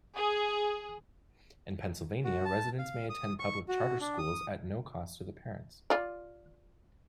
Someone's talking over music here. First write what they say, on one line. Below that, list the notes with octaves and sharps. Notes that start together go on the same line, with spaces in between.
In Pennsylvania residents may attend public charter schools at no cost to the parents.
G#4
F#4
A5
F5
D#6
C#6
F#4
D4
D#6
F4 D5